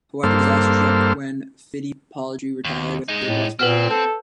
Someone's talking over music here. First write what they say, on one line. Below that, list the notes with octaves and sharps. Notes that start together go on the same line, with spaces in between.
However disaster struck when Fittipaldi retired with gearbox failure.
G2 A#3 A4 C5 F6
D#2
G#3 D#4
A2
A#2 C4 B4 F#5 F6
A4 G6